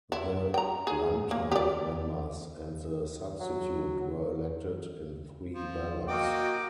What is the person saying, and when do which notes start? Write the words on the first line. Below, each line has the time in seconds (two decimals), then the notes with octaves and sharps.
The Landtag members and the substitute were elected in three ballots.
0.12 E4
0.54 G5 A#5
0.87 G#4
1.31 A#3
1.52 G4 D5
3.40 F#3
5.54 F3
6.08 A#3 F#4 D#5 G5 D6